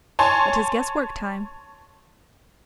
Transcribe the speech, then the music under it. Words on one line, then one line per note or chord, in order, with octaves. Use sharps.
"But 'tis guesswork time."
C#5 G#5 A5 C6